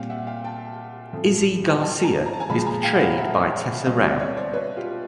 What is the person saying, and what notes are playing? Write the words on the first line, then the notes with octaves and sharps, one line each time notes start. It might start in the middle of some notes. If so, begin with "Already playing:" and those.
Izzy Garcia is portrayed by Tessa Rao.
Already playing: A#2 G3 C4 F5 G5
E5 F#5
F5 G5
G5 A5
A2 F3 A3 C4
G#5
G5 A5
G#5 A#5
A#5
A5
G#5 A#5
A#2 F3 G#3 A5 B5
A5
G#5 A#5
F5 G5
F#5
D#5 F5
E5 F#5
B2 G3 C4 D#5 F5
D5 E5
C#5 D#5
C5 D5
B4 C#5
F4 G4